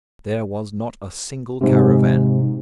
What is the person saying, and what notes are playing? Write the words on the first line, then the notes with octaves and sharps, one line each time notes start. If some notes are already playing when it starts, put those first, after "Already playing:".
There was not a single caravan.
G#2 C3